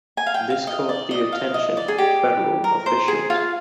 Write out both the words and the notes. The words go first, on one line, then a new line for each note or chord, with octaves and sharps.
This caught the attention of federal officials.
G#5
F5
G5
F5
D#5
D5
D#5
F5
D#5
D5
G#4
G4
A#4
C5
G#4
F4